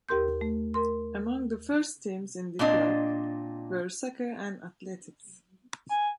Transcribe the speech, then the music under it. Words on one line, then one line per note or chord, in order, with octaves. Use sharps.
Among the first teams in the club were soccer and athletics.
D#2 G4 A#4 C6 G6
A3
A#4 C6
A#2 C4 D4 D#5
G#5